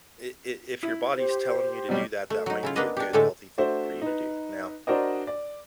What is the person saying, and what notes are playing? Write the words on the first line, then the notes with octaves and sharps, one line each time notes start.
i i if your body's telling you to do that, that might be a good, healthy thing for you to do. Now
E4
G4 C5
B2 F#3 G3
A3
F#3 D#4
C#3 E4 F4
A#3 B3 D4 B4 D#5
D4 G4
A2 D3 G#3 A3 A4
A3 D4 F#4 C5 E5
D#4 B4
D4 F#4 A#4 C5 D5 D#5
D5